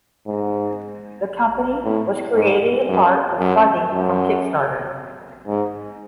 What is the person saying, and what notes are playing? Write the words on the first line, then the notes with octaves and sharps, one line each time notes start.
The company was created in part with funding from Kickstarter.
G#2
A2
G#2
F#2
F#2
F#2
G#2